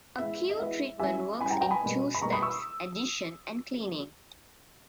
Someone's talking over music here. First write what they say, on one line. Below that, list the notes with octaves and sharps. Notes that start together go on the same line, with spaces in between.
A Q-treatment works in two steps, addition and cleaning.
E3 G#3 B3 E4 E5
D#5
E3 G#3 B3 E4 E5
G3 C#4 E4 E5 G#5
G3 C#4 E4 G#5 B5
G5 A#5
G5 A#5
G#5 B5
B2 G3 A#3 D#4
B5
B2 G3 A#3 D#4 A#5 C#6
B5 D#6
C#6 E6